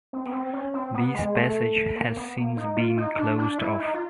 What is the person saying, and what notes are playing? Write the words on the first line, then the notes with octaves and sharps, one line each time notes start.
This passage has since been closed off.
C4
B3
C4
C#4
C4
B3
G#3
A3
A#3
B3
A#3
D#4
F4
D#4
D4
D4
E4
D#4
F4